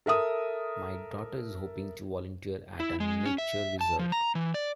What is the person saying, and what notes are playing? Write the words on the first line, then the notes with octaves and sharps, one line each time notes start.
My daughter is hoping to volunteer at a nature reserve.
A4 A#4 E5 D#6
E4
G#3
C#4
E5
A5
F3
A#5
E3
D5